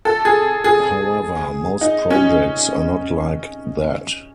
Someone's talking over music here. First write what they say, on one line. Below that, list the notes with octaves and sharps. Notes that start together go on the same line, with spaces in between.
However, most projects are not like that.
A4
G#4
G#4
D#4
C#4